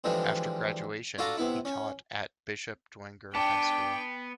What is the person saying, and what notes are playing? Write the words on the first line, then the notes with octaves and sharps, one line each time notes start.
After graduation, he taught at Bishop Dwenger High School.
D3 E3 F3 G3 G#3
D4 F4 F#4 A4 A5 A#5
C3 B3 E4
C#4
B3 D4 G5 A5